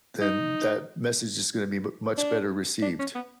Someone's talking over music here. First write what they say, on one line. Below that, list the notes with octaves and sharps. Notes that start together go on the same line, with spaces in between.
then that message is gonna be m much better received.
D#4
D4
D4
C#4
B3